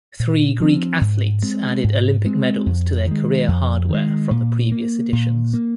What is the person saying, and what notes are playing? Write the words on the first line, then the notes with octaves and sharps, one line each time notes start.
Three Greek athletes added Olympic medals to their career hardware from the previous editions.
A#2
F3 C4
G#2
G#3 C4
G#2
G#3 C4
F2
D#3 G#3
F2
D#3 G#3
A#2
A#3
A#2
A#3